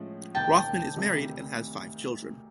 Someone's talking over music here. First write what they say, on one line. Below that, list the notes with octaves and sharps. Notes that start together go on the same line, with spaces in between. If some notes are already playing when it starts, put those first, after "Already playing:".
Rothman is married and has five children.
Already playing: A2 F3 G#3 C#4
E1 D#2 D#3 G5 A5
D2 C3 D#3 G3